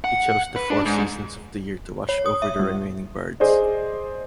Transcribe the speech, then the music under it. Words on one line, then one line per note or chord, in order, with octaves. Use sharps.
He chose the four seasons of the year to watch over the remaining birds.
F#5
B4
D4
G#2
C#5
D#6
E5
G3
G#4 C5 D5 D#5